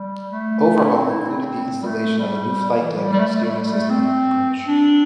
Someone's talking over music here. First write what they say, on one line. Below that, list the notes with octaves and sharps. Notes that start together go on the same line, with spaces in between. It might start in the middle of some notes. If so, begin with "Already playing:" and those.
Overhaul included the installation of a new flight deck, steering system, and bridge.
Already playing: G3
A3
D4
C4
E4
D4
C4
G3
A3
G3
E3
G3
G3
A3
G3
A3
G3
A3
G3
A3
C4
D4